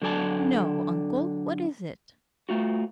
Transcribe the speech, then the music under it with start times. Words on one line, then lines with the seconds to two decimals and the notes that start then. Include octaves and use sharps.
"No, uncle, what is it?"
0.02 D3 F#3 A4 D5 G#5 A5
2.49 A3 F4 F#4